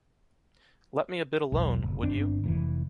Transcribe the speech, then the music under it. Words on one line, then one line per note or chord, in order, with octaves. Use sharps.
Let me a bit alone, would you?
E1 B1
F#1
G1 C4 D4
F1 G#2 E3